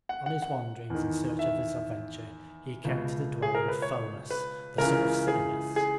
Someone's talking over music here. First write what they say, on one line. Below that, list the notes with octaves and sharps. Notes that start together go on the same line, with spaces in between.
On his wanderings in search of this adventure he came to the dwelling of Pholus, the son of Silenus.
F#5
F#5
F#5
E2 D#3
E5
C#2 B2
G#4
A#4
B4
C#5
B4
C#2 C#3 E3 A#4
G#4
G#4